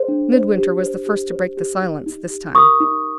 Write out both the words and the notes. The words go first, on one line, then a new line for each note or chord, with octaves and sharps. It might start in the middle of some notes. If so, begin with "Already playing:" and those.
Midwinter was the first to break the silence this time.
Already playing: G#4 C5
D4
C5
G4
C5
G4
C5
G4
D#4
D#4
G4
A#4 C#6 D#6
D#4